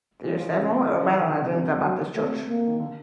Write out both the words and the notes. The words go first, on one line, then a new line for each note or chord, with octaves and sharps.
There are several urban legends about this church.
A2 E3
F3
E3
C#3
C#3 F3
E3
D#3
D3
C#3
C3 F3
F#3
C3 A3
A#3
D#3
D3